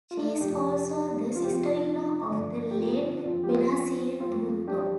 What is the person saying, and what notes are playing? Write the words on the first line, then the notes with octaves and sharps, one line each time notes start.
She is also the sister-in-law of the late Benazir Bhutto.
F4
A3 D4
F2 C3 F3 D4 G4
F2 C3 F3 F4
G4
C4 F4
G2 D3 F3 A3 D4
G4
C4 F4
D4
F2 F3 C4 F4
G4
C4 F4
F2 F3 C4 F4
D4 G4